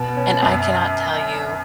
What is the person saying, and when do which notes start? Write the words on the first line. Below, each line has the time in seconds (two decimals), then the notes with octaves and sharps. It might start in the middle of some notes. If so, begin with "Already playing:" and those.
and I cannot tell you
Already playing: B2 B3
0.16 C#4
0.42 F#2